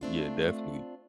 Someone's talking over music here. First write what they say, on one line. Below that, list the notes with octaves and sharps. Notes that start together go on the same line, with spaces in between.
Yeah, definitely.
A3 C4 D4 F4